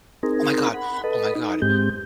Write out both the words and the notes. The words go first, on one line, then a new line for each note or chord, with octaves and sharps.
Oh my god. Oh my god.
C4 D#4 G#4 A#4
F#5 B5
A4 B4 D#5
D#4
G#2 G#3 C4 G4 G6